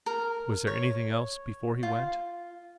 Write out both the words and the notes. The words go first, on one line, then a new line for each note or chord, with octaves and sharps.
Was there anything else before he went?
A#4
C#5
F4